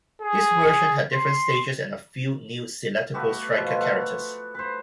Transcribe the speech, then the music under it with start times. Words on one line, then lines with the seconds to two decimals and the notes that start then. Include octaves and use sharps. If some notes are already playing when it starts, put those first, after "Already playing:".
This version had different stages and a few new selectable striker characters.
0.22 G#4
1.14 C6
3.14 A3 B3 F#4 G4
3.54 B2 F3
3.79 A3 F#5
4.54 B4 C5